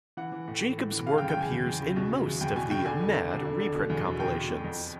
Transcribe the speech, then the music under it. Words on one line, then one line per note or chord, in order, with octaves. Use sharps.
Jacobs' work appears in most of the "Mad" reprint compilations.
E3 F#5
E3
A2
E3
A2
E3
C#3 F5
G5
E2
G5
E2 G#5
E2
E2
C#3
B2
B2
E2
E2 G5
B2 G#5
B2 G5
D3 G#5
F2
D3
D3
D3
D3
B2
E2
B2
B2 G5
B2
B2
F2